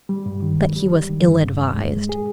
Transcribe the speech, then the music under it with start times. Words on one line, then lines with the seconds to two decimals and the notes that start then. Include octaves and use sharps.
But he was ill-advised.
0.09 G3
0.26 G2
0.42 D#3
0.60 G3
0.76 G3
0.93 G3
1.10 D#3
1.26 G2
1.43 G2
1.59 G2
1.75 G#3
1.92 G#3
2.09 G#4